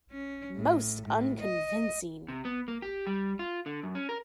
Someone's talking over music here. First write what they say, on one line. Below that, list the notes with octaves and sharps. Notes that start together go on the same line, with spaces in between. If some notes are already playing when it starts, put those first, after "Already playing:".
Most unconvincing!
C#4
A2
A2
D#5
C3
B3
A#3
G4
G3
F4
D3
F#2
C#4
A#4